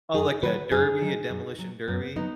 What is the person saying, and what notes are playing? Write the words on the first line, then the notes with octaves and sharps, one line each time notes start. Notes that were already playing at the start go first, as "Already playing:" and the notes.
Oh, like a derby a demolition derby?
F#2 D#4 G#4
D#3 F#3 F#4 B4
F#2 D#4 G#4
D#3 F#3
F#2
F#3
F#2 B3
F#3 B3 D#4